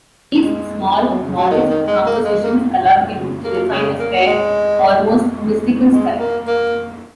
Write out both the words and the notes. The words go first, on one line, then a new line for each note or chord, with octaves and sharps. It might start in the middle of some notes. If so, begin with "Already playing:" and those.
These small, modest, compositions allowed him to refine a spare almost mystical style.
G#3
G#3
F#3
C#3
F#3
D#3
D#3
G#3
A#3
G#3
A#3
C#3
A#3
C#3
A#3
G#3
G#3
G#3
A#3
A#3